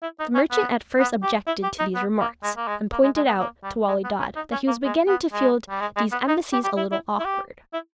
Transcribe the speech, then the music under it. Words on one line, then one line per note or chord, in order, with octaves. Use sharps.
The merchant at first objected to these remarks, and pointed out to Wali Dad that he was beginning to feel these embassies a little awkward.
E4
D#4
C#4
B3
B3
G4
E4
G4
D#4
B3
A#3
G#3
A#3
G#3
A#3
G#3
G#3
B3
A#3
G3
G#3
B3
C#4
D#4
C#4
A#3
G#3
B3
G#3
G3
G#3
G#3
B3
D#4
G4
G4
E4
E4
E4
G4
E4